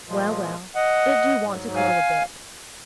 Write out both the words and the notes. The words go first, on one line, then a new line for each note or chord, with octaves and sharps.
'Well, well; it do want to cool a bit.
A#2 F3 G#3
D#5 F#5
G#2 F#3
F5 G#5